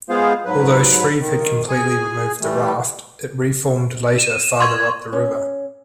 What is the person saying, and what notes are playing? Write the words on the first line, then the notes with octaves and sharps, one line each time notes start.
Although Shreve had completely removed the raft, it reformed later farther up the river.
G#3 B3 F4 G#4 C5 F5
G#2 F#3 B4
D#3
G#4 G#5
E3 G3 A3
D#7 E7
C6 C#6 G#6
C#4